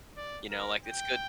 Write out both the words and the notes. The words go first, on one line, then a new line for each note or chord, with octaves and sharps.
you know, like, it's good
D5
A#4
G5